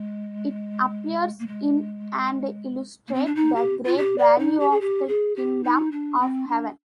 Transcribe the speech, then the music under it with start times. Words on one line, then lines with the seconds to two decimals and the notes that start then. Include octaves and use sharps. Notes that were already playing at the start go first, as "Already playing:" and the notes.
It appears in and illustrates the great value of the Kingdom of Heaven.
Already playing: G#3
1.39 A#3
1.47 G#3
3.08 A#3
3.13 C4
3.25 D4
3.35 D#4
3.55 G4
3.85 F4
3.97 G4
4.18 D5
4.38 D#4
4.60 G4
4.71 G#4
4.81 G4
5.07 G#4
5.36 G4
5.64 D#4
5.91 D4
6.20 C4
6.47 D4